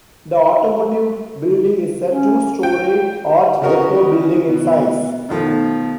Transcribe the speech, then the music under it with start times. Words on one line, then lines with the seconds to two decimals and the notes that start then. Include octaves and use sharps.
The Automotive Building is a two-storey Art Deco building, in size.
2.09 C#4
2.63 G5
3.61 C#3 C#4 F#4 A#4 D#5 C#6
4.49 B2
5.29 B2 D#3 F3 A3